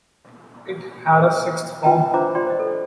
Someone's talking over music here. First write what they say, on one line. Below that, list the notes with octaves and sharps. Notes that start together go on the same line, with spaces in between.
It had a sixth form.
F4 B4 E5 G5 A5 A#5
D4 F4 C5 E5 A#5 D6
F4 D5 G5 C6
C5 D#5
A4